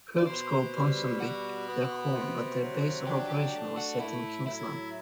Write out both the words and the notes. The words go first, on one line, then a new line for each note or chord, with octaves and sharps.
Herbs call Ponsonby their home, but their base of operations was set in Kingsland.
D5
B2 C5
G3
B2 F#4
B3
C3
F#3
D4 G4
G4
A3
F#4
A2 E4
F#3 E4